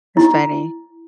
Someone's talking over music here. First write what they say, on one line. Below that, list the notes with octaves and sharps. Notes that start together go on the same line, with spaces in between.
it's funny.
E4